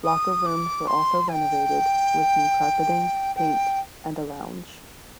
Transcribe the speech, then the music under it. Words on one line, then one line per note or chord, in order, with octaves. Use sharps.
Locker rooms were also renovated, with new carpeting, paint, and a lounge.
D#6
D6
C6
G#5
G5
G5